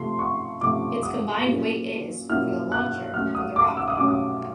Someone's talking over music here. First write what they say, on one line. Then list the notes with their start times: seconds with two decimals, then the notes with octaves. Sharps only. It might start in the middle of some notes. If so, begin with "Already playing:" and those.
Its combined weight is - for the launcher, for the rocket.
Already playing: C3 F3 A3 C6
0.19 C#6
0.61 C3 F3 A3 D6
1.03 D#6
1.46 A#2 F#3 A#3 C#4 E4
2.30 A#2 F#3 A#3 C#4 E4 F6
2.72 F#6
3.14 F#3 A3 C#4 F6
3.35 D#6
3.56 D6
3.77 E6
3.88 D#6
3.97 F#3 A3 C#4 D6
4.08 D#6